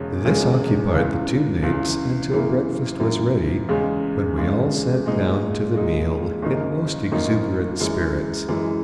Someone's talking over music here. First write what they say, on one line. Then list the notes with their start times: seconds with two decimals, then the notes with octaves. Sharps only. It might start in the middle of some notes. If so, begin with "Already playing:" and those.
This occupied the two mates until breakfast was ready, when we all sat down to the meal in most exuberant spirits.
Already playing: E1 E2 C#3 G#3
0.25 E1 E2 C#3 G#3
0.94 C#2 C#3 E3
1.63 C#2 C#3 E3
2.32 F#2 E3 A#3
3.00 F#2 E3 A#3
3.69 E2 C#3 G#3
4.37 E2 C#3 G#3
5.06 A#2 G#3 D#4
5.74 A#2 G#3 D#4
6.42 G#1 F#2 D#3 A#3 D#4
7.12 G#1 F#2 D#3 A#3 D#4
7.80 F#2 E3 G#3
8.49 F#2 E3 G#3